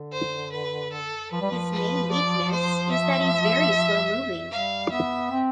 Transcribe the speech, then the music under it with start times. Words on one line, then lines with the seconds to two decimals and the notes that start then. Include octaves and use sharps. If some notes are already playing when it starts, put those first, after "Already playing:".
His main weakness is that he's very slow moving.
Already playing: D3
0.12 C5
0.52 B4
0.92 A4
1.32 F3 B4
1.41 G3
1.52 F3
1.72 B4
2.11 D5
2.52 C5
2.92 E5
4.51 G3 F5
4.91 B3 E5
5.31 C4